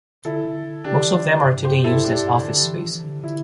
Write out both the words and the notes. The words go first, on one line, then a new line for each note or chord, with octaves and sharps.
Most of them are today used as office space.
D3 E4 A4
D3
D3 D4 G4
E3
D3
G2
G4 C5
G2
E4 A4
G2 D4 G4
D3
E3
E3
E3
D3
D3 E4